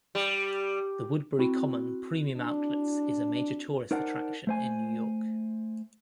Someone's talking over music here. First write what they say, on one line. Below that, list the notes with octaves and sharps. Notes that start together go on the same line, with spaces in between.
The Woodbury Common Premium Outlets is a major tourist attraction in New York.
G3
C4 E4 F#4
D4
D#4 A#4 C5 D5 F#5 A5
A3 C5 G#5